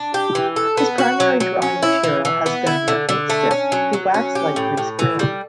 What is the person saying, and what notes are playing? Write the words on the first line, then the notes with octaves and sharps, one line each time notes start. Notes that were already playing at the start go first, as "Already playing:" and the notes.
His primary drawing material has been the paintstick, a wax-like grease crayon.
Already playing: D4
G4
E3
A4
B3
F#4
F#3
F#3
C#4
E4
E3
E3
B3
E4
D3
D3
A3
C#4
F#3
F#3
C#4
G4
A2
A2
E3
G3